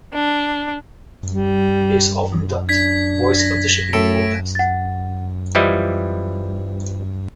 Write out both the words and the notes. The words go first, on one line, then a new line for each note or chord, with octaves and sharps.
He is often dubbed "Voice of the Shipping Forecast".
D4
G3
D4 G#6 B6
A#6
F#2 A2 A4 D7
F#5 A6
E3 F3 G3 E4 D#5